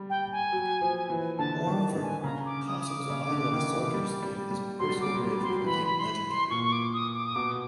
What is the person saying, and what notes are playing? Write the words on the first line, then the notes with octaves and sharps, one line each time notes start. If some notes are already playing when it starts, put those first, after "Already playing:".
Moreover, Kassa was the idol of the soldiers and his personal bravery became legendary.
Already playing: G3
G5
G#5
F#3
F3
E3
D3 A5
A5
D#3
A5
D3
G#5
C#3 A#5
D6
D#6
D#6
D6
C#3
D3
D#3
E3
G3
G3
G3
F#3 C6
G3
F#3 D6
G3
F#3
G3
F#3
G3 C6
F#3
E3 B5
B5
C6
B5
C6
A#2 C#6
C#6
D6
D#6
D6
D#6
B2 D6